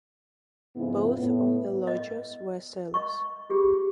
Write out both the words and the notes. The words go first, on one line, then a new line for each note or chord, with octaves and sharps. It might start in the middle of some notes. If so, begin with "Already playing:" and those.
Both of the lodgers were sailors.
F2 G#2 C#3 B3 E4
A2 B3
D#5
D#5 C#6
F4 G4 G#4